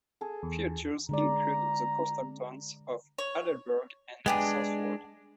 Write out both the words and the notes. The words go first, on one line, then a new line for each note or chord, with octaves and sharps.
Features include the coastal towns of Aldeburgh and Southwold.
G#4 A4
E2
D3 G#3 D5 A#5
C#5
G#3 B3 D4 G4 G#4